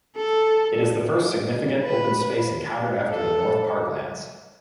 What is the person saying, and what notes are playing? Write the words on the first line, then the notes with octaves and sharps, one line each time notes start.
It is the first significant open space encountered after the North Parklands.
A4
B4
A4